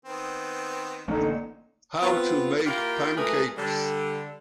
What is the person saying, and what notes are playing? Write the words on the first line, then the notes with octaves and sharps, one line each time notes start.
How to make pancakes.
D#3 B3 C4
A1 D3 A#3 C#4 D#4
B3 C4 F4
A#3 E4 F4 G4 A#4
A#2 G#3 A3 G#4 A#4 B4
D3 G3